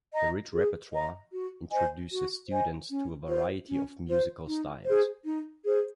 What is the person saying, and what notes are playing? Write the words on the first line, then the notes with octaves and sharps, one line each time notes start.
The rich repertoire introduces students to a variety of musical styles.
D#5 A#5
G#4
D#5 A#5
F#4
C5 D#5 G#5
F#4
C5 D#5 G#5
C#4
F4 C5
C#4
F4 C5
D#4
G#4 C5
D#4
G#4 C5